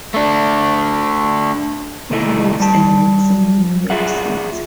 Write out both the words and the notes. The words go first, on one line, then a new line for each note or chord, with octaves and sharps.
He lives and works in New York City.
A3 D4
C3 D#3 A3 D#4 E4
G3 A5
F4 G#4 E5 F#5